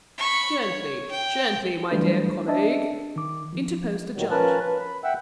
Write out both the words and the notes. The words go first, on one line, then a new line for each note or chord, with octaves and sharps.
"Gently, gently, my dear colleague," interposed the Judge.
B5 C#6
C#5
G5
E3 F#3 G3 A3 D4 B4
D4 D#5 E5 A5
D#3 D6
F3
A#2 D#3 F#3 G3
F3 C#4 A#4 B4 A5 F#6
B4
B5
E5 F#5 G5 E6